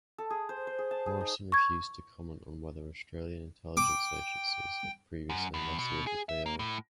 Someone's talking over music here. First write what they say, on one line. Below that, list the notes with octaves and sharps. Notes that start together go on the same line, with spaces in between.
Morrison refused to comment on whether Australian intelligence agencies have previously investigated Liu.
A4
G#4
C5
C5
G#4
A5
G#4
D#4
C#6 G#6
G5 D6
F#2
E2
B2
G#4
E5
A#3
A2